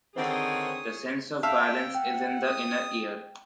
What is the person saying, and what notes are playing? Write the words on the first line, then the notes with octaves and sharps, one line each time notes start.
The sense of balance is in the inner ear.
D3 D#3 C4 G#4 C#5 D#6
E5 F5 G5 A5
F#5 G5
D#6